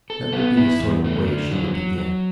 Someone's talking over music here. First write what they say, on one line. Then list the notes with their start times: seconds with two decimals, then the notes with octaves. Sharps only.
That would be the sort of way she would begin.
0.10 A4
0.33 B3
0.57 E4
0.80 E2
1.04 A3
1.28 D3
1.51 F#3
1.74 F#3
1.98 F#3